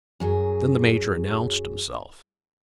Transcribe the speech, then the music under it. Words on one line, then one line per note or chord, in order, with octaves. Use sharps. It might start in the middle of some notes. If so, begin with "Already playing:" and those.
Then the major announced himself.
F#2 F#3 G#4